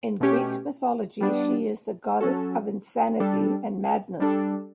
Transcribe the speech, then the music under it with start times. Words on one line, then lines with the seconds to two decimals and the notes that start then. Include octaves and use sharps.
In Greek Mythology, she is the Goddess of insanity and madness.
0.20 B2 A3 C#4 G4 C#5
1.21 G3 B3 D4
2.20 F#3 C#4 F#4 A4
3.20 G3 D4 A4
4.20 G3 D4 A4